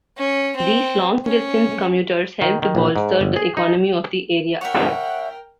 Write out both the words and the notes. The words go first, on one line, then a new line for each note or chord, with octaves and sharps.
These long-distance commuters helped to bolster the economy of the area.
C#4
C4
C#4
D#3
D#3
A#1
G#2
G1
G#4
D#4
A#4 C#5 E5 F#5 G5